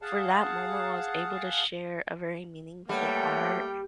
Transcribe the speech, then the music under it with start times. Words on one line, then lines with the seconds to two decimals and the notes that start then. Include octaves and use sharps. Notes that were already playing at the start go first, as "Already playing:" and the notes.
for that moment, while I was able to share a very meaningful art,
0.02 G#4 F5 F#5 A5
2.89 G3 A3 A#3 B4 C#5 F#5 G5